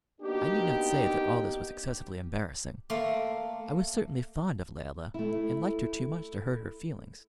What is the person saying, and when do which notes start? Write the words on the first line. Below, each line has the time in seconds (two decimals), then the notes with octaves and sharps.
I need not say that all this was excessively embarrassing I was certainly fond of Layelah, and liked her too much to hurt her feelings.
0.21 A#3 B3 D4 D#4 F#4 G4
2.90 A3 A#3 F5 C6
5.14 A3 E4